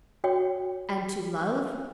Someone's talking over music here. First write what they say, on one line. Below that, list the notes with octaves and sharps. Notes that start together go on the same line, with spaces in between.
"And to love."
F#4 C#5 G5